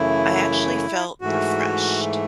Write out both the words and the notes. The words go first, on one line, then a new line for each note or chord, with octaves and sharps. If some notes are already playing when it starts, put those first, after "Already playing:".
I actually felt refreshed.
Already playing: F#2 C#3 E3 A3 E4
G#2 E3 A3 F#4